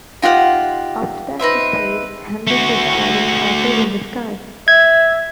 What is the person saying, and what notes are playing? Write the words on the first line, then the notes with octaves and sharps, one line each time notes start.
After that, he played Henry Tizard in "Castles in the Sky".
D#4 F4 G4 F#5
D#4 B4 C5 E5
A3 F#4
E5 G#6